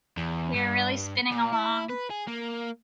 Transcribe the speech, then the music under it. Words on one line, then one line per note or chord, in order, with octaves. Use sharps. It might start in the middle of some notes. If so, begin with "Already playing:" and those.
We are really spinning along.
E2
G2
A#2
E4
B4
G#4
A#3